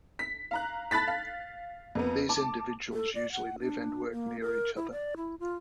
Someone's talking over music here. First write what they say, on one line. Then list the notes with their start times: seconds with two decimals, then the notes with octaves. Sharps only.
These individuals usually live and work near each other.
0.19 B6
0.51 F5 A#5 F#6
0.91 A5 B5 F#6 A6 B6
1.07 F5
1.95 F2 A#3 B3
2.29 A5 D6
2.93 A4
3.15 D5
3.32 F#5
3.60 D4
4.12 A#3
4.41 A#4
4.76 E4
4.92 D5
5.17 E4
5.40 F4